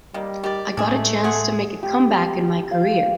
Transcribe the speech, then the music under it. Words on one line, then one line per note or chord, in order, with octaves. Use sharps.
I got a chance to make a comeback in my career.
D#3 G3 A#3
D#3 G4 D5
A2 G#3 A3 D4 G#4
G#4 F#5 G#5 C6
G4
F5